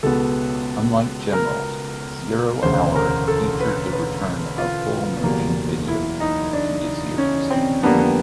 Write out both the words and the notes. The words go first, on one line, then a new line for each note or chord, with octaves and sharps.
Unlike "Generals", "Zero Hour" featured the return of full motion videos to the series.
C#2 B2 G#3 B3 A4
A#4
E1 D2 C#3 C5
A#4
A4
B4
B4
F4
F#1 E2 B2 G3 A#3
E4
D#4
D4
C#4
C4
F2 D3 G3 A#3 B3
B3